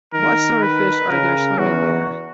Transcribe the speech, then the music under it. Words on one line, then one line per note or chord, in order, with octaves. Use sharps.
What sort of fish are there swimming there?
D#3 A#4
B4
C#3 A#4
E2 F#4